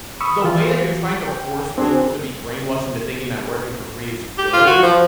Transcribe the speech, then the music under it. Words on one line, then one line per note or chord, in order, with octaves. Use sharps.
the way that you're trying to force people to be brainwashed into thinking that working for free is good,
B5 C#6 D#6 E6
E3 F4
G5
C4 D4 F#4 G#4 C5
G4
F4
F#4
F3